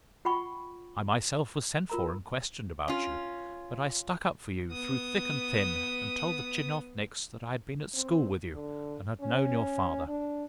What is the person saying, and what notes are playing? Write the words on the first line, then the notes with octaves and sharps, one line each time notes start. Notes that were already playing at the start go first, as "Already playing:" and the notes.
I myself was sent for and questioned about you, but I stuck up for you through thick and thin, and told the tchinovniks that I had been at school with you, and had known your father.
F4 F#5 G5 B5 C#6
F4 A#4 A#5
C#4 F4
B3 D#6
C4
D3
C#4
D4